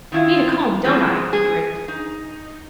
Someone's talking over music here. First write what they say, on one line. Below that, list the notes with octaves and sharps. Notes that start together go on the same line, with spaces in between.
"Need a comb, don't I?" he grinned.
D#3 E4 F4
B2 E3 F3 G#3 C4
G#4
D#4